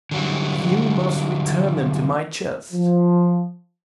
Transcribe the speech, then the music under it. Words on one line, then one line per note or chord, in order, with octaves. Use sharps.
"You must return them to my chest."
D3 F#3 G3
F3